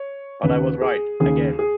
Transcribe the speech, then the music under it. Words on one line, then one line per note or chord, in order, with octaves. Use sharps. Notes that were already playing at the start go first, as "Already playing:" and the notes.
But I was right - again!
Already playing: C#5
D#2 C#3 B4
G#4
D#2 C#3 G#4
G#4